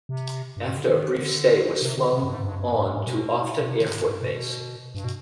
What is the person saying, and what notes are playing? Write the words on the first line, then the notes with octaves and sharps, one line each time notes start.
After a brief stay it was flown on to Offutt Air Force Base.
C3
G2
B2
D3
D#3
D3
C3
D3
C3
G2
G#2
G2
G2
G#2
G2
G#2
B2
B2
C3
D#3
G#2
G2
G2
B2
B2
G2
B2